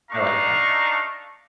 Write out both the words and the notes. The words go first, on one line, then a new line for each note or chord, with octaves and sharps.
I like that.
A3 D4 D#4 F5 A#5 C#6